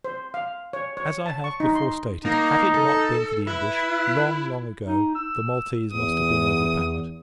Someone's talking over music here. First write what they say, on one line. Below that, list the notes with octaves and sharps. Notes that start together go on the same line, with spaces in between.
As I have before stated, had it not been for the English, long, long ago, the Maltese must have been overpowered.
C5
F5
C#5
C#5
A5
C#6
D#4
C6
A#3 D#4
A4
E4 B4
D#4
E6
E2 D#6